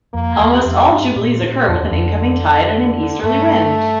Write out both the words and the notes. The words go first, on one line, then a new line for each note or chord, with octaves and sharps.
Almost all jubilees occur with an incoming tide, and an easterly wind.
F2 A#3
E2
C3
F2
G2 C3
A#2
A#2
F2 D3
E2
F2
G2 A3